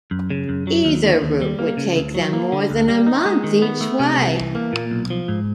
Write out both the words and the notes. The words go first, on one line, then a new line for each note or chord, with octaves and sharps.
Either route would take them more than a month each way.
F#2
C#3
F#2
F#3
D#2
D3
D#2
G3
A#3
C#3
D2
F#3
A#3
D3
D2
G3
D#4
G#3
D#3
B3
A3
C3
C2
E3
A#3
A#2
B1
F3
G#2